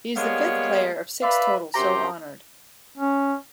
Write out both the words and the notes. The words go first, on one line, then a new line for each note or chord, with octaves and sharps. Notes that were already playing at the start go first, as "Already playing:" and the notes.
He is the fifth player of six total so honored.
G3 G#3 A#3 B3 C#5
B4 D5 E5 F5 B5
F#2 C3 G4 A#5 C6
C#4